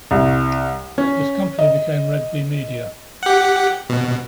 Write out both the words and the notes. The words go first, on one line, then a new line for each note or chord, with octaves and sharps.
This company became Red Bee Media.
C2
C#4
D#5
G4 F#5
B2